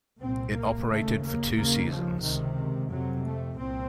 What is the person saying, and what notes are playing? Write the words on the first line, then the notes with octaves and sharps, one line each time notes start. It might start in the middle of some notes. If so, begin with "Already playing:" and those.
It operated for two seasons.
C2 A#2 C4
A#3
D#2 C#3 A3
A#3
D#2 C#3 A#3
F3
C#2 C3 D#3
F2 C3 F#3
A3
C2 A#2 C4